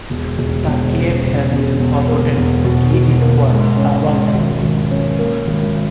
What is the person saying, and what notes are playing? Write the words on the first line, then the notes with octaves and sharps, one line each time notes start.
The cave has been forgotten and rediscovered several times.
E1
E1
E1
C#3
C#3
E1
E2
A#3
E2
B2
B2
A#3
G#2
C#4
G#2
G#1
G#1
C#4
A#3
G#1